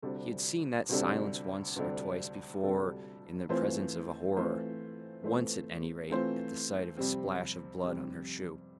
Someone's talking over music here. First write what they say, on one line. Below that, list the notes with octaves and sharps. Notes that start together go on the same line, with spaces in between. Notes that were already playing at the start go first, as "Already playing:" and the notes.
He had seen that silence once or twice before in the presence of a horror--once at any rate, at the sight of a splash of blood on her shoe.
D2 C3 G3 D4 A4
D2 C3 G3 D4 A4
D2 C3 G3 D4 A4
D2 C3 G3 D4 A4
E3 A3 C4 F4 C5
E3 A3 C4 F4 C5
E3 A3 C4 F4 C5
E3 A3 C4 F4 C5
F2 C3 G3 C4
F2 C3 G3 C4